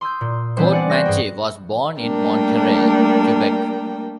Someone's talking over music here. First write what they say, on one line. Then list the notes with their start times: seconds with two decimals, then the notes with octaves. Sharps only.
Courtemanche was born in Montreal, Quebec.
0.01 C6 D#6 E6 G6
0.21 A#2
0.57 E3 G3 B3 C4 D4 C5
0.71 D5 F#5 G#5
0.90 C5 C#6 F#6 A#6
1.05 G2 G#4 G5
2.00 G3 A3 A#3 D4 A#4 G5